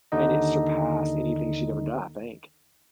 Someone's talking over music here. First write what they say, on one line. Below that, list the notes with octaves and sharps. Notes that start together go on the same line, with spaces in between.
and it surpassed anything she'd ever done, I think.
D#2 D3 D#4 D#5